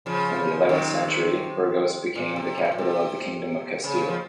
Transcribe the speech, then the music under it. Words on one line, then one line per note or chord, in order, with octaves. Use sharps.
In the eleventh century, Burgos became the capital of the Kingdom of Castile.
C#3 F3
C3 D#3
A#2
C3
C#3
C3
A#2
C3
C#3
F3